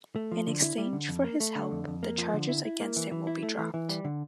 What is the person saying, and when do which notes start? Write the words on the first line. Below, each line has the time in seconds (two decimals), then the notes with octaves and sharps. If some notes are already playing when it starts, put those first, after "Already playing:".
In exchange for his help the charges against him will be dropped.
0.16 A3
0.32 F3
0.47 D3
0.62 E4
0.78 G3
0.93 D3
1.09 F2
1.24 A#3
1.40 A3
1.55 D3
1.71 F2
1.88 F2
2.03 A#3
2.18 F3
2.33 D3
2.49 E4
2.65 E4
2.80 A#3
2.96 E3
3.11 E3
3.27 E4
3.43 A3
3.58 E3
3.74 E3
3.89 G3
4.04 D3